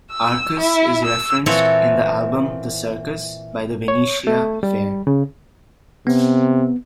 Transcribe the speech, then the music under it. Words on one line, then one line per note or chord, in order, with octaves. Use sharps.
Arcas is referenced in the album "The Circus" by The Venetia Fair.
E6
E4
E6
A#2 E3 C4 F#4 A4 C#5
C#5
A3
G3
C#3
C3 B3